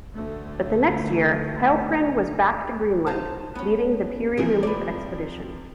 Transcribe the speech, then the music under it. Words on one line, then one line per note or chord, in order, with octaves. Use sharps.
But the next year Heilprin was back to Greenland, leading the "Peary relief expedition".
D2 D3 A3
D#4 C5 F5 A5
B3 C#4
C3 E3 F3 G#4
B4 D5